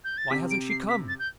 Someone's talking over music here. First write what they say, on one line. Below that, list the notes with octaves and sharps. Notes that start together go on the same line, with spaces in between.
'Why hasn't she come?
G6
A6
C3 B6
D7
C7
B6
A6
G6